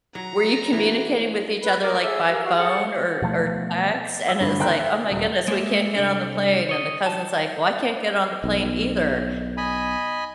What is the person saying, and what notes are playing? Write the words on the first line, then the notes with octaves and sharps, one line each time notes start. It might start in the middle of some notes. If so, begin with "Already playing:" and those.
Were you communicating with each other, like, by phone or or text? And it's like, "Oh my goodness, we can't get on the plane," and the cousin's like, "Well, I can't get on the plane either."
F#3 F#4 A#5
E3 A#3 F#4
B4 B5
A#4 C#5 D6
G#4 A4 E5 E6
G4 A#4 F5
F#4 G4 B4 F5
G#4 A4 C5 F#5
B2 F3 A3
E6
G2 D3 A3
D#3 A3 C5 G5 A#5 F#6
E5 G5
D#1
G#3 A#3 E5
C2 D4 A4
C#5 D#5
A5
B1
D#5 G#5 B5